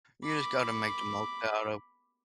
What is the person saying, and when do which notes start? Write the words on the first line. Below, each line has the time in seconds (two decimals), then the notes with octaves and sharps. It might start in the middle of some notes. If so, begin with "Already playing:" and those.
you just gotta make the most out of
0.24 B5 D6